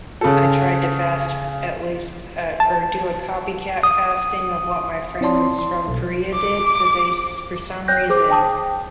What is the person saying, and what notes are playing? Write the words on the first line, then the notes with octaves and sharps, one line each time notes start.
I tried to fast, at least, uh, or do a copycat fasting of what my friends from Korea did, 'cause they s for some reason,
C#3 A4
A5
D#6
C4 E4 C#5 D5 A5 C6
C6
B1 B2
D6
C#5 G5 F#6 G6 A#6
G#4 C5 D6
G5 A5 D#6